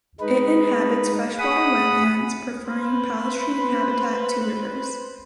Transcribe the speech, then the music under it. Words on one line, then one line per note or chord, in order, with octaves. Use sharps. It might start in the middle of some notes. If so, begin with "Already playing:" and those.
It inhabits freshwater wetlands, preferring palustrine habitat to rivers.
G#3 D#4 B4
G#4 F#5 B5 D#6
B4 C5